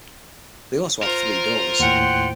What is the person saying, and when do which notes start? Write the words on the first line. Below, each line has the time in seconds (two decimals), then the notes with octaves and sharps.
They also had three daughters.
1.02 F4 A#4 C5
1.80 D#2 A2 F#5 G5 C6